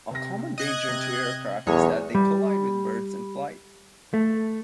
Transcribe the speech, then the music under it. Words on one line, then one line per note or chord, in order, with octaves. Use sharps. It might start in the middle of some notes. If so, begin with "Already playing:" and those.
A common danger to aircraft is that they collide with birds in flight.
C3 A#6
D#5 F#6 G#6
C3
B1 E2 C#5 D#6
G3
A3